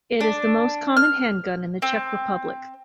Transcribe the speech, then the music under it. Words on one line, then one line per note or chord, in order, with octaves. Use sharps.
It is the most common handgun in the Czech Republic.
D4
F6
C4